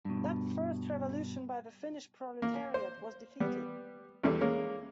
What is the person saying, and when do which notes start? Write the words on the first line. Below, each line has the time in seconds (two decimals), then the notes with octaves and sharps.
That first revolution by the Finnish proletariat was defeated.
0.05 G2 B2
2.42 A#3
2.74 C5
3.40 G3 B3
4.23 E2 E3 G3 A3
4.41 G#3 A#3 C#4